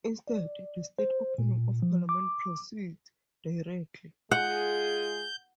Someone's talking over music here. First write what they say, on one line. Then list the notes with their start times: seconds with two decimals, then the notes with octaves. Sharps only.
Instead, the State Opening of Parliament proceeds directly.
0.27 D5
0.99 C5
1.38 A#2
1.82 F3
2.09 D6
4.31 G#3 F4 G#4 F#5 G6